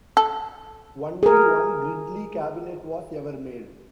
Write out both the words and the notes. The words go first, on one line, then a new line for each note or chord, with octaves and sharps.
Only one Gridlee cabinet was ever made.
A4
G#4 A#4